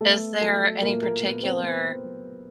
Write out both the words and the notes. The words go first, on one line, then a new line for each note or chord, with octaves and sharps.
Is there any particular
A3 B3 A4
F#3 A3 A4
A#2 A#3 A#4
A#3 A#4
A#2 B3 B4
B4
C4 C5
B3 B4
F#3